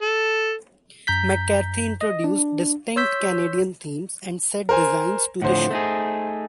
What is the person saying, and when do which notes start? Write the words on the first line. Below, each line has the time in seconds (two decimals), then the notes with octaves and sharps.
McCarthy introduced distinct Canadian themes and set designs to the show.
0.02 A4
1.07 F#2 A#5 G6 B6
2.01 D#5
2.24 D4
2.96 C#5 C6 E6 G6 B6
4.69 A#4 C5 G#5
5.42 A2 D3 F3 C5 F#5
5.71 A3 D#4 G#4